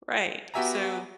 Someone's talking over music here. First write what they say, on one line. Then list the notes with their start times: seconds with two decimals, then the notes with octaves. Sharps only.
Right, so
0.54 B3 F#4 G4 E5 G#5 A#5